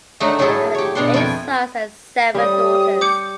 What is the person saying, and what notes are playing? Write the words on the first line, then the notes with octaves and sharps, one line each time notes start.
They had eight sons and seven daughters.
F#3 A3 D4 D#4 F#4
A2 F#3 E4 G#4 A4 C6
G4 C#5
B2 D4 F#5 C6
F2 E4 F4 G5 G#5
G3 A3 C#4 G4 D#6
D6 G6 C#7